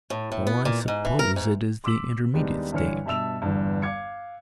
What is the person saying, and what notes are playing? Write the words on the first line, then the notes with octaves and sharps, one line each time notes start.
So I suppose it is the intermediate stage.
A2
A2
B3
A#2
G#2
E3
A#4
G#2
C6 D6 E6 B6 F#7
D#2 G3 G#3 B3 D4 D#4
G2 D3 E3 C#5 F6 C#7
G2 B2 E5 A5 E6 F7
G1 E2 G2
F5 D6 G#6 C#7